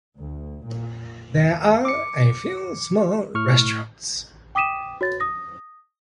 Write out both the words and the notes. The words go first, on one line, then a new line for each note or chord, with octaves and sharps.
There are a few small restaurants.
D2
A#2
D#2
D6 C#7
A2 C#6 F6
G5 D6 D#6 B6 D#7 E7
F#4 C#5 A6
D#6 A#6